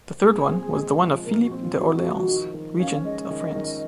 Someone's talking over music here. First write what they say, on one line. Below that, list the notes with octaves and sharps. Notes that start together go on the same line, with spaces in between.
The third one was the one of Philippe d‘Orléans, regent of France.
A#2 G#4
C4
G#3
F3
A#2 A#4
F#4
C4
F4
G#3 F#4
F3
D#3
D#3
C#4 F5
G#3 D#5
D#3
D#3